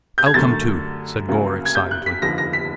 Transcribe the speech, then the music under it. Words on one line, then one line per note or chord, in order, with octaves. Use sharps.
"I'll come too," said Gore, excitedly.
G6
G#6
F#2 D3 F#3 A3 A6
D2 C#3 F#3 A#3
G#6
G6
F#6
B6
F1 D#2 D3 F3 A#6
A#6
B6